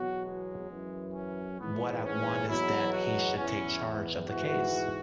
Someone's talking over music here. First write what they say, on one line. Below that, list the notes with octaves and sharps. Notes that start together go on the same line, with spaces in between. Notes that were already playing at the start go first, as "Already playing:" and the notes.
What I want is that he should take charge of the case.
Already playing: E2 B2 F#3 F#4
G#3
F#2 E3
C#4
G#2 E3 B3
C#4
E2 B2 F#3 E4
F#4
E2 E3 C#4
G#2 E3 F#4